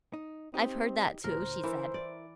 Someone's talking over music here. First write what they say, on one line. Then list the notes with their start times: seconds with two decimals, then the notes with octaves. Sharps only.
"I've heard that, too," she said.
0.13 D#4
0.54 C4 D#4 G4
1.24 D2 A#2 A#4 C5
1.64 E3 E4 A#4
1.94 D5